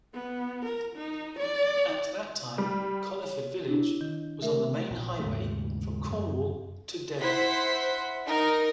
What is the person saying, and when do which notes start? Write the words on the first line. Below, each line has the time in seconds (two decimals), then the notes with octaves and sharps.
At that time Coleford village was on the main highway from Cornwall to Devon.
0.14 B3
0.65 A#4
0.95 D#4
1.39 D5
2.58 G3
3.21 C#5
3.68 D4 E4
4.01 D#3
4.42 A3 A4 A#4 E5
4.90 A#1
5.20 D#2 G#2 C#3 A3
6.10 F#2
7.21 E4 C5 F#5 B6
8.27 D#4 A#4